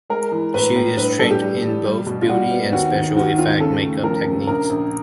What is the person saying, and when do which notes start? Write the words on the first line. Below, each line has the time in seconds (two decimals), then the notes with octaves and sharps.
She is trained in both beauty and special effect make-up techniques.
0.10 G#3 A#4
0.32 E3
0.54 A2 B4
0.76 A2
0.98 G2 B4
1.19 G3 A4
1.31 G4
1.42 G3
1.63 E3
1.85 G3
2.07 B2
2.22 F4
2.29 G3 F#4
2.51 B3
2.72 D#2 F#4
2.95 D#3
3.16 D#3 F#4
3.38 D#2 F4
3.60 C#3 A4
3.82 A3
4.04 F3 A#4
4.26 C#3
4.47 A#1 A#4
4.69 A#1